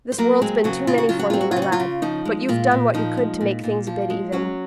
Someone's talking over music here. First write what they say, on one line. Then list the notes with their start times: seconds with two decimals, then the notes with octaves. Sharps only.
This world's been too many for me, my lad, but you've done what you could to make things a bit even.
0.12 C5
0.18 F#3 A#3 A#4
0.41 G#3 C4 G#4
0.64 C#3 F#3 F#4
0.87 C#3 F4
0.98 F#4
1.09 F#3 F4
1.19 F#4
1.30 C4 F4
1.41 F#4
1.51 F4
1.56 C#3
1.62 F#4
1.72 F4
1.80 C#3
2.02 F3 D#4
2.25 G#3
2.48 A#2 F4
2.71 A#2
2.94 F3 D#4
3.17 G#3
3.41 A#2
3.64 A#2
3.86 F3 F4
4.10 G#3
4.32 F#3 C#4 F#4